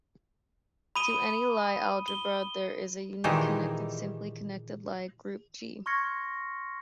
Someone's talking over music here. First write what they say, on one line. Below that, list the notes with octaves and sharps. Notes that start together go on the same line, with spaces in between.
To any Lie algebra, there is a unique connected, simply connected Lie group "G".
B5 D#6 D#7 G7
G7
A#2 D#3 E3 G#3 D#4 G4
C6 C#6 F6 G#6 A#6 C#7